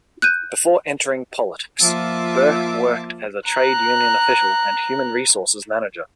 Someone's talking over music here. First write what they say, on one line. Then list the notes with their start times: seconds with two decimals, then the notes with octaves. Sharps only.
Before entering politics, Burke worked as a trade union official and human resources manager.
0.22 F#6 G6 D#7
1.80 F3 A#3 F4 E5 A5 D6
3.49 A#5 F#6